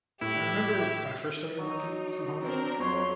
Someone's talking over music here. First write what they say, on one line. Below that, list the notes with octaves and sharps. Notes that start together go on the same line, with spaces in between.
I remember when I first started working from home
A2 E4 G4 E5
F#3 D#4
C4 D4 A#4
F2 F#3 C#5 C6